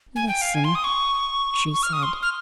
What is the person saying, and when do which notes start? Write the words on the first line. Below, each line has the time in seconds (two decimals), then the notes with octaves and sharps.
"Listen," she said.
0.16 G#5
0.28 G5
0.42 F5
0.54 G#5
0.64 C6
0.75 D#6
0.84 C#6
1.74 C#6
1.83 F6
1.93 D#6
2.03 C6
2.22 F6